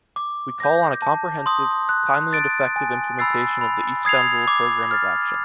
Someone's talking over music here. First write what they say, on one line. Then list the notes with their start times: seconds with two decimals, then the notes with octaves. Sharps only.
We call on a comprehensive, timely and effective implementation of the Istanbul Programme of Action.
0.16 D6
0.60 G6 A#6
1.02 A5
1.46 C6 D#6
1.89 F#6
2.33 A6 D7
2.76 G#5
3.19 B5 E6 A6 C7
3.61 B5
4.05 D#6 G#6 C7 F7
4.48 D6
4.91 F6 A6